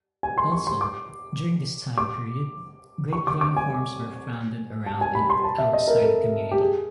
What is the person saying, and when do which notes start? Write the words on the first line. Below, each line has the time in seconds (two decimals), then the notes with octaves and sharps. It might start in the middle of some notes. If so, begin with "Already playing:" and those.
Also during this time period, grapevine farms were founded around and outside the community.
0.23 G#5
0.38 C6
0.52 C#6
0.67 C6
0.81 D6
1.98 D6
3.13 C#6
3.27 D6
3.41 D6
3.57 G#5
4.86 A5
5.01 G#5
5.15 B5
5.30 C6
5.44 A5
5.58 E5
5.73 D#5
5.88 A#4
6.02 A4
6.51 G4
6.61 G#4